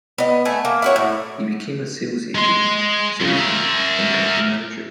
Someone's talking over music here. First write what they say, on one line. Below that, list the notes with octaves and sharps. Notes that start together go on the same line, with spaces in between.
He became a sales agent, salesman and company manager.
B3 D#5
A3 B3 G#5
A#3
E4 F#4 C#5
A2
G#3 C6
D#2 C#3
A#4 E5